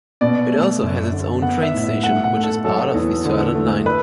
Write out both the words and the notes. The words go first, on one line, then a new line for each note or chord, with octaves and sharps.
It also has its own train station, which is part of the Sørland line.
B2 D5
A3
F#2
D3
B3 F#5
E5
A2
E5
A3 F#5
F#5
A3
A4
F#3 A4
E2
D3
A3
B4